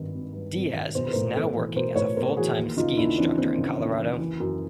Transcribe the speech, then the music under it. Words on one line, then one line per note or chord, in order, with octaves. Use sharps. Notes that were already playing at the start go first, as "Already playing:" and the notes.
Diaz is now working as a full time ski instructor in Colorado.
Already playing: G#1 G2 D#3
G#1
G2
G#1
D#3
B1 C5
B4
A#4 C5
A2
B1 A4 B4
E3
B1 A#4 C5
A2 B4 C#5
B1 A#4 C5
E3 F#4 G#4
D#2
C#3 D#4 F4
D#2 D4 E4
E3 C4 D4
D#2 C4
C#3
D#2
E3
E3
F#2